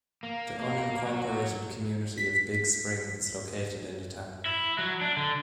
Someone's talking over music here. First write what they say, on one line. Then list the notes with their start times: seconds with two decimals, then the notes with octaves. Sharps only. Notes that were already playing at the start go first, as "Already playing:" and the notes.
The unincorporated community of Big Spring is located in the town.
0.23 A#3
0.60 A#3
1.06 F#3
2.18 B6
4.46 E4
4.79 F#3
5.01 D4
5.17 D3